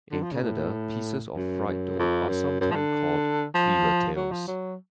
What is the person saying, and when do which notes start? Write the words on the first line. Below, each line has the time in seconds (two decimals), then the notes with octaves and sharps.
In Canada, pieces of fried dough are sometimes called beaver tails.
0.12 D3
0.23 F3
0.32 C#3
0.42 A2
1.36 F#2
1.67 F#2
1.99 F2
2.29 F#2
2.60 F#2
2.71 F3
2.76 D3
3.54 F3
4.17 F#3
4.31 F3
4.47 F#3